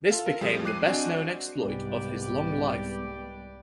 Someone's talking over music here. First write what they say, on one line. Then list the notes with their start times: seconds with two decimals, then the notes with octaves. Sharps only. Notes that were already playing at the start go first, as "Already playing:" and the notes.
This became the best-known exploit of his long life.
0.11 F4 A4 F5
0.26 A#4
0.41 F2 F3 G3 G#3
0.65 D6 F#6 C7 D#7
0.86 C4 D4 F#4 D5 D#5 G#5
1.61 C2 G#2 G3 B3 G4 B4 D5